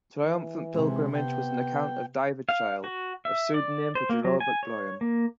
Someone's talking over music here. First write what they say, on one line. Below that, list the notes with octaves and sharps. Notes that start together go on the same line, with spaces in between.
"Triumphant Pilgrimage" was an account of "David Chale", a pseudonym for Gerard MacBryan.
E3
C3 G#3 C4
B3 G5
F5
F#4
E5
D5
C5
A#3
F#3
G#5
C#5
A#3